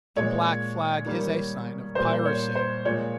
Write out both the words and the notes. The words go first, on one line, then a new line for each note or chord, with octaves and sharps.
The black flag is a sign of piracy.
A#2 G#3 C#5
D#3 G3 A#3
A#2 G3 A#3 C5
C#5
C5
A#2 F3 G#3 C#5